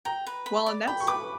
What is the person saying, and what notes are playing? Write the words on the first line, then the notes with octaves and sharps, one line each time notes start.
Well, and that's
G5 A#5
B4
B5
D5
G5 B5
C#6
B4 D6